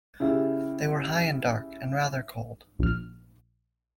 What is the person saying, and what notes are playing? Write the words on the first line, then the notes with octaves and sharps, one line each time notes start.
They were high and dark, and rather cold.
C#3 E4 G4
A#1 F6